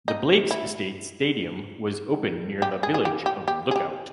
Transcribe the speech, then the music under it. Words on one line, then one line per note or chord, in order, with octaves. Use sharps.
The Blakes Estate Stadium was opened near the village of Look Out.
D#4
E4
G4
G#4
G#4
G4
G4
G4
G#4
G4